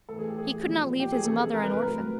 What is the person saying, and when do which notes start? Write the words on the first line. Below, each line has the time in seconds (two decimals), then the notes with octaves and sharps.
He could not leave his mother an orphan.
0.09 A2 E3 A4
0.19 G#4
0.28 G4
0.38 G#4
0.67 A#2 F3
1.00 G4
1.12 G#4
1.25 C3 E3 A4
1.54 A#4
1.63 B4
1.74 B4
1.83 A2 F#3 A#4